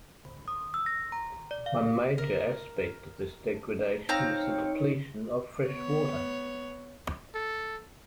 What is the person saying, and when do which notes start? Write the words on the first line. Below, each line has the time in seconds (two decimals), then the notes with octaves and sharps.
One major aspect of this degradation is the depletion of fresh water.
0.48 D#6
0.74 E6
0.86 A#6
1.12 A#5
1.51 D5
1.66 F5
1.86 F5
2.18 A#4
4.09 C4 D#4 C#5 F5 A#5
5.68 B3 C#5
7.35 A4